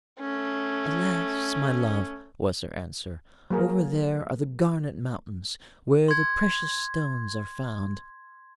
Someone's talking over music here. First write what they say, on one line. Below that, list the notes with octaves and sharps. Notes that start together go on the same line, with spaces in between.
'Alas! my love,' was her answer, 'over there are the garnet mountains, where the precious stones are found.
A3 C#4
F#3 A#3 G#4 A#4
C6 G#6